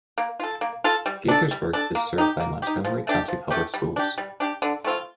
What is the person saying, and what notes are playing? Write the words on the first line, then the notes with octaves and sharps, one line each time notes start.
Gaithersburg is served by Montgomery County Public Schools.
A#3
F4 A4
A#3
F4 A4
G3
D4 A4
G3
D4 A4
A#3
D#4 G4
A#3
D#4 G4
F3
A3 D4 G4
F3
A3 D4 G4
G3
D4 G4
G3
D4 G4
D3
A3 C4 F4